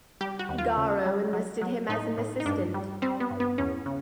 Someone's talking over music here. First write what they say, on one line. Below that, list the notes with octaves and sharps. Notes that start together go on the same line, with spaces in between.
Garrow enlisted him as an assistant.
G3 G4
F#4
D#2
F4
C#3
G3
F#3
F#3
A2 D#4
A2
D#4
G2 D4
G3
G3 C4
B3
G2
B3
E2 C#4
C#3